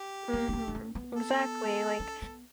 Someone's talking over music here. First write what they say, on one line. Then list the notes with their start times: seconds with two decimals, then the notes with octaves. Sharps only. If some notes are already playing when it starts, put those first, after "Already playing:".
Mhm, exactly, like,
Already playing: G4
0.33 B3
0.48 D4
0.53 C#4
0.68 D4
0.75 C#4
0.95 B3
1.17 A4
2.00 C#4
2.22 B3